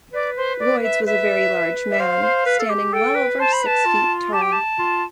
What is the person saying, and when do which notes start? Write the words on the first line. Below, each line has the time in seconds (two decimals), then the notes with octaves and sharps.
Royds was a very large man, standing well over six feet tall.
0.13 B4 D5
0.36 C5
0.59 D5
0.83 E5
1.06 B4 E5
1.90 E5
1.99 C5 F5
2.22 C5
2.46 B4
2.60 A4
2.70 G4
2.92 A4 G5
3.15 B4
3.39 C5 A5
3.52 B5
3.62 B4 A5
3.86 F4
4.32 G4 A5
4.41 G5
4.52 A5
4.79 F4